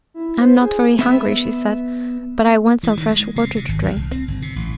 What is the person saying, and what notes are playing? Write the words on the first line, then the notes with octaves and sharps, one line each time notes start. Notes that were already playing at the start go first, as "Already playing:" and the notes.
"I'm not very hungry," she said, "but I want some fresh water to drink."
E4
C5
G#4
B3 E5
E3
D#3
G#3
C3
C3
G#1
D2
C2
C4
G1
C3
A1